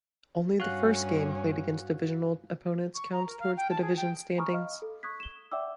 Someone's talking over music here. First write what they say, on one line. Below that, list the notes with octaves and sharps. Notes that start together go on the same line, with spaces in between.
Only the first game played against divisional opponents counts towards the division standings.
G2 C#4 F#4 F5 F#6
C#6
A#5
A#4
F5
G5
A5
G#4
G5
G#5 A#5 B5 C#6 D#6 F6
D#5 F5 F6
A4
C#6 D#6 F#6 G#6 B6
E7 G7
D5 E5 F#5 G5 D6 E6